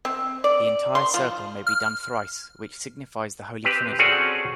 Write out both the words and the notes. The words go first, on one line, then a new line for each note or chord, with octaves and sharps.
The entire circle may be done thrice, which signifies the Holy Trinity.
C4
D5
C6
F3
F6
C4 G4 B4 C5
C4 C#4 F#4 G#4 A4 D5